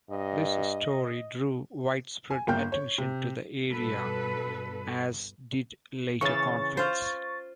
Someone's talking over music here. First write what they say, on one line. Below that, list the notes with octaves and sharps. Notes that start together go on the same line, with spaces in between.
This story drew widespread attention to the area, as did later conflicts.
G2 D#5
G#5
G1 A#3 F5 G5 G6
C#5
C3
G2 B2 A4 B4
C#3 E3 C#6 A6
F4 C5